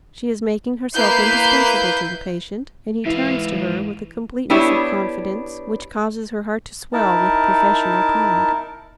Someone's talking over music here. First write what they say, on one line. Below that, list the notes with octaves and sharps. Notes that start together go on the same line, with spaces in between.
She is making herself indispensable to the patient, and he turns to her with a completeness of confidence which causes her heart to swell with professional pride.
A#3 E4 B4 G6 C7
G#2 E3 E4 F5
B3 D4 E4 G4 C#5
D#4 E4 A#4 A5